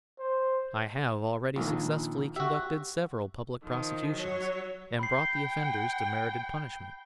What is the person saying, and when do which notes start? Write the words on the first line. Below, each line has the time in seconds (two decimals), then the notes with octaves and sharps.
I have already successfully conducted several public prosecutions, and brought the offenders to merited punishment.
0.19 C5
1.56 A#1 D#3 F3
2.36 F#4 G4 E5
3.64 D#3 F3
4.14 F#3 C#5
4.99 G5 B5 C7